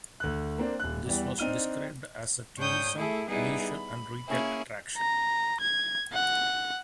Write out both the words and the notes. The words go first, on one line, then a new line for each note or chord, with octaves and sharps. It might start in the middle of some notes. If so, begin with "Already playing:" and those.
This was described as a tourism, leisure and retail attraction.
D2 F#6
A#3 C4 D4
D#1 F#6
E2 E3 G3
C4 D4 D#4 F6 D#7 G7
G#2 D4 C#5 G5 D#6 G6
A3 E4 G#4 A4
G3 B3 D#4 E4 G#4
B5
A#3 C#4 E4 G#4
A#5
G#6
F#5